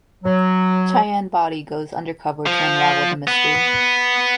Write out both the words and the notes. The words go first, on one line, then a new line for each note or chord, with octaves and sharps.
Cheyenne Bodie goes undercover to unravel the mystery.
F#3
F3
B3